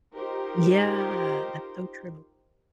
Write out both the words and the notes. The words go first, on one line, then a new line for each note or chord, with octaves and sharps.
Yeah, that's so true.
D#4 F4 G4 A#4 C5